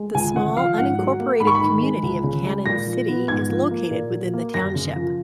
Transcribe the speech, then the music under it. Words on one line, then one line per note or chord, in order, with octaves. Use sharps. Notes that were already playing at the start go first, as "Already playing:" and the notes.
The small, unincorporated community of Cannon City is located within the township.
Already playing: G#3
C#2 G#5
C#3 F#5
F3 F5
G#2 F#5
F#3
A#3
G#2 B5
C#6
B5
D#3
G#3
C#2
C#3
G#3
A#2 A#6
F3
B3
G#2 G#6
F3
A#3
A#2
F#3
A#3
F#2 A#6
C#3
F3